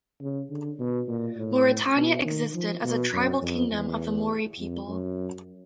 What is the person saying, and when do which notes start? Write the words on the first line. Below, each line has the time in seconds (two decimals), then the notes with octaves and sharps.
Mauretania existed as a tribal kingdom of the Mauri people.
0.21 C#3
0.50 D3
0.79 B2
1.08 A#2
1.37 A2
1.96 B2
2.25 D#3
2.54 F3
2.84 B2
3.13 F#2
3.42 F2
3.72 E2
4.59 F2
4.88 F#2